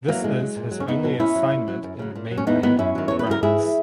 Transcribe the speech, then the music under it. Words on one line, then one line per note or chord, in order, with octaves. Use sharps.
This is his only assignment in mainland France.
E3 F#3 A#3
A#2 G#3
F#3
A#2
F#3
C#4
E2 B3 D#4
B2 F#3
A#2 C#4 E4
F#3
A#2
F#3
F#2
C#3 F#3
A#2
F#3
C#4
E2 B3 D#4
D#3 F#3 B3 D#4
F#2 C#4 E4
D#3 F#3
E2 C#5
B4
C#3 F#3 A#4
G#2 E4 G#4
E3